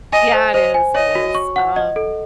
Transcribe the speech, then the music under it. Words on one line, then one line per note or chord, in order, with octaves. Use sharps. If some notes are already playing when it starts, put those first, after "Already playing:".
Yeah, it is, it is, um,
D#5 G#5
C5
C5 D#5
G#5
C#5 D#5
F#4
C#6
F#5
D#5
A4